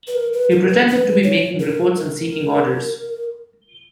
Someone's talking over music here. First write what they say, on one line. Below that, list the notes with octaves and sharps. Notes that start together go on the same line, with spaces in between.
He pretended to be making reports and seeking orders.
B4
A#4
B4
A#4
B4
B4
C#5
A#4
A#4